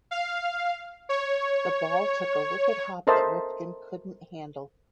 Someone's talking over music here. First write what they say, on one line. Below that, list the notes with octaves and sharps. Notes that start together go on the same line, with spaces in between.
The ball took a wicked hop that Ripken couldn't handle.
F5
C#5
A4 A#4 C5 D#5 E5 A5